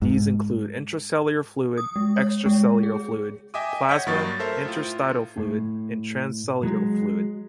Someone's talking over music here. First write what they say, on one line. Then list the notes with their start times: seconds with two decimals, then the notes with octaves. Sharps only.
These include intracellular fluid; extracellular fluid; plasma; interstitial fluid; and transcellular fluid.
0.02 G#2
1.78 D#6
1.96 G#3
2.16 C#5
2.46 G#3
2.83 G#4
3.54 D#5 E5 G5 G#5 D6 D#6
3.89 C#5 D#5 F#5 C#6 G6 B6
4.07 G2 F#3 A#3 C#6 D#6 A6
4.40 A4 A#4 C5 E5
4.65 A2 F4
5.38 A2
6.63 F#3 G#3